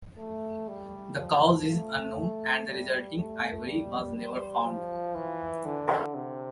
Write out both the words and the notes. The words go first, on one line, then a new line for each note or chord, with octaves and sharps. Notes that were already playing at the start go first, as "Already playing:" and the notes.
The cause is unknown and the resulting ivory was never found.
A3
G3
F3
A3
G3
A3
G3
G3
F3
E3
D3
C3